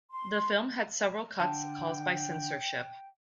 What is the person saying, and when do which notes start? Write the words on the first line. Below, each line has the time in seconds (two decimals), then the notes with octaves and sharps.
The film had several cuts caused by censorship.
0.12 C6
1.40 D3 G5 A5